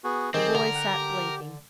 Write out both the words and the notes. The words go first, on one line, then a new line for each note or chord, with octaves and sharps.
The boy sat blinking.
B3 F#4 G#4
D#3 C4 G4 G#4
D3 A#4
F#5 G5
G4